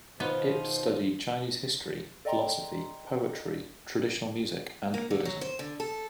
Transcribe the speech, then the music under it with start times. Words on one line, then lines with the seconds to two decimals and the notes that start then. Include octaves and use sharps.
Ip studied Chinese history, philosophy, poetry, traditional music, and Buddhism.
0.20 B2 D#3 B3 D#4 F4 C5
2.25 A4 D5 D#5 G5 A#5 C6
4.94 A#3
5.11 D3
5.25 F#3
5.41 C5
5.59 D3
5.80 A4